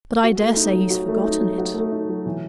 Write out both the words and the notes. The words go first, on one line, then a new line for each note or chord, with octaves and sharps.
"But I dare say he's forgotten it."
F#4
A3
D#4
F#3
F#4
A3
D#4
F#3
F#4
A3
D#4
F#3
E3